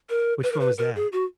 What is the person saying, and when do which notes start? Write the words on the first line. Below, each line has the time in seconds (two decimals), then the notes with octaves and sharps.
Which one was that?
0.10 A#4
0.43 B4
0.52 A#4
0.60 B4
0.78 A#4
0.96 G#4
1.13 F#4